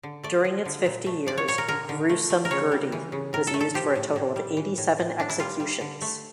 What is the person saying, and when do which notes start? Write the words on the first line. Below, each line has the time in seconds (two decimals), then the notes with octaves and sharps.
During its fifty years, "Gruesome Gertie" was used for a total of eighty-seven executions.
0.03 D3
0.24 A3 D5
0.45 F3
0.65 D3
0.86 A#2
1.06 A3
1.26 F3 D5
1.38 C#5
1.48 A#2 C#5
1.58 A#4
1.68 D3 A#4
1.89 D3
2.09 A3
2.30 A3
2.45 A#4
2.51 C#3 C#5
2.72 G3
2.92 E3
3.12 C#3
3.33 A2 A#4
3.47 A4
3.54 A3
3.61 A4
3.74 F3 G4
3.95 A2
4.16 A2
4.36 G3
4.57 E3
4.78 A2
4.99 A2
5.19 A2 D4
5.29 E4
5.40 G3 F4
5.60 G3
5.81 D3
6.02 A3